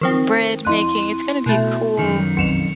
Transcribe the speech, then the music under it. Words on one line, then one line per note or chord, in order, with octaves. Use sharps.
bread making, it's gonna be a cool,
D#3 F3 C4
F2 E4 C6 F#6 D#7
B2 A3
F#2 D#3
B1 F2 C#7 E7 F7